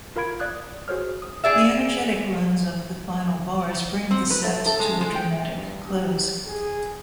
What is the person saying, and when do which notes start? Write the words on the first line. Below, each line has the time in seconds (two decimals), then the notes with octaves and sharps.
The energetic runs of the final bars bring the set to a dramatic close.
0.16 F4 A#4 F5 B5 G#6 D7
0.40 D5 F5 D#6 F#6 G#6
0.88 F#4 G#4 C5 C#5 F6
1.22 D#6
1.44 G#4 D5 E5
4.11 C4
4.30 B4
4.44 A3
4.66 A4
4.79 G#3
5.01 G#3
5.15 G5
5.56 G2
5.88 G4
6.47 G#4